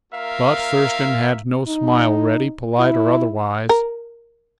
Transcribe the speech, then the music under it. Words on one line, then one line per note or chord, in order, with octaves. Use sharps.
But Thurston had no smile ready, polite or otherwise.
A#3 F4 A#4 E5 F5
D#4
E4
A#4